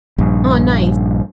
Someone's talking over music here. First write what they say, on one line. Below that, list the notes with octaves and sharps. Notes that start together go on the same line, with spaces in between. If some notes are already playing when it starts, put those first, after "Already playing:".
Oh, nice.
A#1 G2